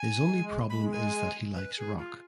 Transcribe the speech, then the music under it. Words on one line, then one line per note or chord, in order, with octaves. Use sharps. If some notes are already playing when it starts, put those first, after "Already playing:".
His only problem is that he likes rock.
Already playing: G#5
G#3
G#3 B5
G#5
B4
G#4
F4